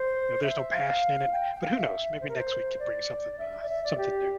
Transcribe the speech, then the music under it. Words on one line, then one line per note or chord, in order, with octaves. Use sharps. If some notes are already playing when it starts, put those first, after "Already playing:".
you know, there's no passion in it, but who knows, maybe next week could bring something, uh something new,
Already playing: C5
E5
F5
G5
G5
F5
E5
C5
A#4
C5
D5
E5
D5
E5
D5
G4